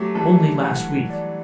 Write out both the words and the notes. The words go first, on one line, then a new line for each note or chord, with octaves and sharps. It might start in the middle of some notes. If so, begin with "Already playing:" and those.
Only last week!
Already playing: F#3 A3 G4
E3 G3 A5
F#5
D5